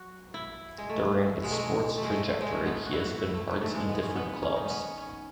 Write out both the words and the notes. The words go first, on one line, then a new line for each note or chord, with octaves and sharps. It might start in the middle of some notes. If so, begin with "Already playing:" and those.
During its sports trajectory, he has been parts of different clubs.
Already playing: F#3 F#4
E4
G#3
A3
B2 F#3 G#3
A3
G#3
A3
G#3
A3
G#3
A3
B3
F#4
E4
F#4
E4
A3
A3
G#2 E3 A3
G#3
B3
C#4
B3
B3
C#4
D#4
B3 C#4
C#4